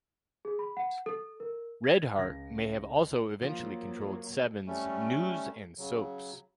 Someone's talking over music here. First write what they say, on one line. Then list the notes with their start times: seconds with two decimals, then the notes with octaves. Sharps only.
Red Heart may have also eventually controlled Seven's news and soaps.
0.45 G#4
0.59 B5
0.77 F#5
1.06 A4
1.40 A#4
1.84 G#6
2.18 C#2 A#6
3.42 F3 F#3 A#3
4.67 G3 A3 C#4
5.78 C#3 F#3